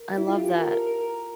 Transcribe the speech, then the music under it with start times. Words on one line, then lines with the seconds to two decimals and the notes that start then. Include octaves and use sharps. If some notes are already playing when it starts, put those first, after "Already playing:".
I love that.
Already playing: A#4
0.18 E4
0.28 F4
0.39 G4
0.49 A4
0.59 A#4
0.73 A#4
0.87 A#4
1.01 A#4